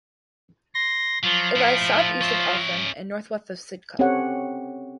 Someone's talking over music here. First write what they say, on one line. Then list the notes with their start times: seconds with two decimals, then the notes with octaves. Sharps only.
It lies south east of Eltham and north west of Sidcup.
0.74 C6 A#6
1.24 F3 F#3 F4
1.57 A3 E4
2.21 C#4 E5
3.99 C4 C#4 G4 A4 C#5 F#5